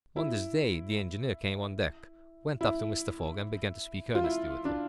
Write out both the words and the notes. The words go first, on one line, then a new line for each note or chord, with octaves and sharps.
On this day the engineer came on deck, went up to Mr. Fogg, and began to speak earnestly with him.
E4
E4
F4
E4
D4